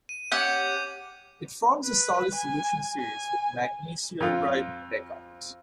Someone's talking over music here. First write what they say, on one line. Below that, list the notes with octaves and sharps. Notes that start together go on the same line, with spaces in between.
It forms a solid solution series with magnesioriebeckite.
D#7
C#4 G4 F#5 D6 G6
B4
G#5
G#5
F2 F4